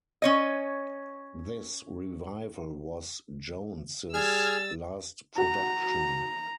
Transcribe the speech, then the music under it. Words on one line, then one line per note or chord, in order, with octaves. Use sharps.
This revival was Jones's last production.
C#4 C#5 D#5
G3 G#4 E6 F6 G#6 A6
F#4 F#5 A#5